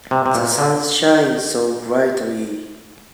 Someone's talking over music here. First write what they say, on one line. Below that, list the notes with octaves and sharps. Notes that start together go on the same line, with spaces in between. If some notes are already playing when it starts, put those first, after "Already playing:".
The sun shines so brightly.
C3
C3
A#2
D3